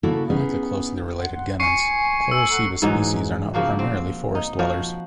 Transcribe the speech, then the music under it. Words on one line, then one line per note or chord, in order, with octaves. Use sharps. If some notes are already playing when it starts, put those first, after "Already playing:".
Unlike the closely related guenons, "Chlorocebus" species are not primarily forest dwellers.
C#3 A#3 E4 F#4 A4
B3 C#4 D#4 G#4
F#5 C6
G#5 C6 C#6 C7 C#7
E6
A4 F#5 A#5
G#2 E3 F#3 D#4
C#3 F3 A#3 F#4
C4
D#4
F3 F#4